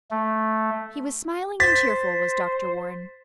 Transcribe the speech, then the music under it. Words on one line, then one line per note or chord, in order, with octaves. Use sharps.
He was smiling and cheerful, was Dr. Warren.
A3
C5 A6 B6